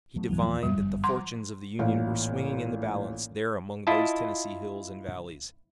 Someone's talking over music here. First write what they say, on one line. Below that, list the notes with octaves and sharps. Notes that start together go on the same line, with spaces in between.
He divined that the fortunes of the Union were swinging in the balance there among those Tennessee hills and valleys.
F#3 A3 B3
B1 G2 E3 F#3 G3 B3
E2 F3
F#2 C#3 G3 A#3
G1 F#2
F3 F#5 A#5 C6 D6
A1 A#2 F5
E4 F4 D#5 A5